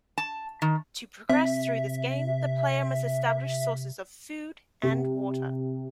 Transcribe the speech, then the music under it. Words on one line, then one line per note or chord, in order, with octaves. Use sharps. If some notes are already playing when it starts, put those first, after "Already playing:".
To progress through this game the player must establish sources of food and water.
A5
D#3
C3 E5
C3